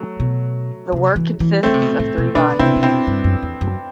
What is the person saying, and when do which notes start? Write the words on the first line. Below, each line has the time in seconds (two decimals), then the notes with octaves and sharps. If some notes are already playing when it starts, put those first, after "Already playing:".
The work consists of three volumes.
Already playing: F#3 A3
0.20 B2
0.92 C3
1.16 E3
1.40 E3
1.63 D3 A3 C4
1.74 C3
1.82 B2
2.00 A2
2.18 B2
2.35 B2 B3 D4
2.59 C3 C4 E4
2.76 C3
2.83 B2 C4 E4
3.07 G2
3.24 F#2
3.43 E2
3.61 F#2